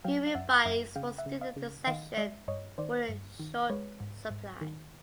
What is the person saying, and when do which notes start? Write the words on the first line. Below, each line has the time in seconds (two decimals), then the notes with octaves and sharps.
Human bodies for student dissection were in short supply.
0.04 F#3 F5 G5
0.27 F5
0.35 F#2 E5 F#5
0.65 F#2 E5 F#5
0.96 C#3 F5 G5
1.18 E5 F#5
1.26 C#3
1.41 D#5 F5
1.56 C#3
1.87 D#3 D#5 F5
2.17 G#3 D5 E5
2.48 G2 C#5 D#5
2.78 D#3 C5 D5
3.09 G2
3.40 D#3
3.70 G#3 B4 C#5
4.00 G#2
4.31 G#2
4.61 D#3